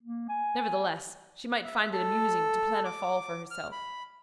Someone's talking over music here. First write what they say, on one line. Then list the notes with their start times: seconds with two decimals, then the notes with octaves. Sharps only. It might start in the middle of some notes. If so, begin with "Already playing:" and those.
Nevertheless, she might find it amusing to plan a fall for herself.
0.03 A#3
0.29 G#5
1.64 E5
1.92 A4
2.85 D6
3.51 F6
3.72 B5